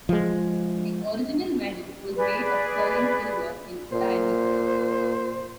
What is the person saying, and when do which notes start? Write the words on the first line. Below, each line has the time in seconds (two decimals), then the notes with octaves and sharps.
The original medal was made of sterling silver, in diameter.
0.09 F3 G#3
2.16 G#4 B4 D5
3.92 A#2 C5